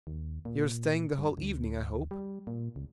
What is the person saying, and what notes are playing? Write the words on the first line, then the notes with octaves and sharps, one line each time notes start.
"You are staying the whole evening, I hope?"
D#2
A#2
G2
D2
G3
A#2
C#2